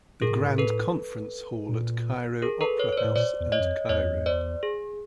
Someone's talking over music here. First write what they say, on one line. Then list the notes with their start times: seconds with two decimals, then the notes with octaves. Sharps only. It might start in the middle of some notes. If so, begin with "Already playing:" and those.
The Grand Conference Hall at Cairo Opera House and Cairo.
0.22 A#2 G#4 A#4
0.31 A2
0.39 G#2
0.49 A2
0.58 A4 B4
1.69 A#2
2.42 G#4 A#4
2.61 A4 B4
2.79 B4 C#5
2.93 C#5
2.97 C5 D5
3.04 A2
3.16 A#2 C5 D5
3.40 E2
3.52 C#5 D#5
3.60 F#2
3.65 F2
3.89 E2 C#5 D#5
4.26 C5 D5
4.63 G#4